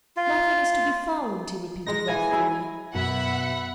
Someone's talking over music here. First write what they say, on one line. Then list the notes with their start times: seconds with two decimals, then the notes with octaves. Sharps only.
"Nothing is to be found!" he repeated wrathfully.
0.17 F4
1.86 G#3 D#4 A#6
2.08 E3 B3 G#5
2.31 F#3 E4 G#4
2.95 F#2 B2 E5 F#5 B5